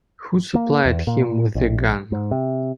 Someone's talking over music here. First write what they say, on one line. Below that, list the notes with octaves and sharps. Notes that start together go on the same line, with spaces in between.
Who supplied him with the gun?
A#3
E2
A#2
A#1
G#2
C3